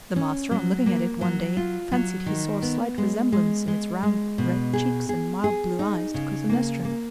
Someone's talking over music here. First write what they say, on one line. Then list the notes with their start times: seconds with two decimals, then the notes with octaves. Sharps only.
The master on looking at it one day fancied he saw a slight resemblance in its round red cheeks and mild blue eyes to Clytemnestra.
0.16 C#4
0.51 F#3
0.86 A#3
1.21 F#3
1.57 F4
1.92 F#3
2.26 D#3
2.62 B3
2.98 G#3
3.33 G#3
3.68 G#3
4.03 G#3
4.38 B2
4.73 G#4
5.09 G#4
5.44 G#4
5.79 D#4
6.14 C#3
6.49 A#3
6.85 A#3